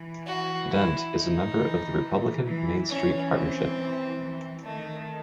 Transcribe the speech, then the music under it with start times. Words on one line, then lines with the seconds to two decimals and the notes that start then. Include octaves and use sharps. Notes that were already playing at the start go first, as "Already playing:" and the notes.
Dent is a member of The Republican Main Street Partnership.
Already playing: E3
0.26 F#4
0.70 E4
1.14 D#4
1.58 E3
2.45 E3
2.89 E3 C#4
3.33 C4
3.76 E3
4.20 E3
4.64 D#3 A3